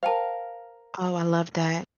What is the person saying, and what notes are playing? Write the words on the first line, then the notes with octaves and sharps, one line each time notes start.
Oh, I love that,
A#4 C5 F5 G5 A5